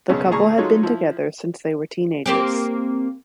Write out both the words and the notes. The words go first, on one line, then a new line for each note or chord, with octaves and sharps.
The couple had been together since they were teenagers.
B1 C#3 C#4
D2 A#2 G#4 A5 A#5 C#6
F#3 G#3 D#4 F4 A4 C#5
F3 E4
A#3 C4 G4